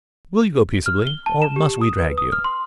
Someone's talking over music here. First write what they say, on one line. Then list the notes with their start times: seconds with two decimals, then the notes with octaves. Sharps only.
"Will you go peaceably or must we drag you?"
0.86 F6
1.07 G7
1.26 A5
1.42 E7
1.56 G4
1.81 D#6
1.98 B4
2.18 D#6
2.32 F6
2.44 C6